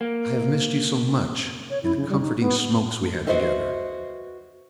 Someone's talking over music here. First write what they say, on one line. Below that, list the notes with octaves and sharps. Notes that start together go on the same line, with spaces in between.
I have missed you so much--and the comforting smokes we had together?
A#3
C#5
E4
C#3
G3
D#4
B3
F#4 G4 B4 C5 D#5 E5